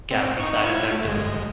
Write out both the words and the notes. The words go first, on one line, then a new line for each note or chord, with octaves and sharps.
gassy side effect of
C4
D#4 C#6
E4 F4 G#6
A3
G1 G#3